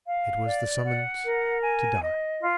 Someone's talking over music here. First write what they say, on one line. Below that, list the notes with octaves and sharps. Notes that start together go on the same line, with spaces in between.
It was the summons to die.
F5
D5
F#5
A#4
G#5
D#5
F4